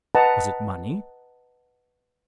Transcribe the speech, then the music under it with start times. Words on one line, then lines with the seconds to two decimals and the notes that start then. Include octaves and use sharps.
Was it money?
0.15 B4 D#5 F#5 A5 A#5